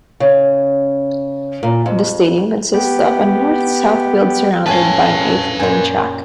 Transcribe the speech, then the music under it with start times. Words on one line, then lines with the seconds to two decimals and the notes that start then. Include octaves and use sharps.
The stadium consists of a north-south field surrounded by an eight-lane track.
0.20 C#3
1.63 A#2
1.86 F2
2.74 B3 G4
4.66 F2 A2 C#4 B4 F5 G#5 A5
5.60 F#2 A#2 G#5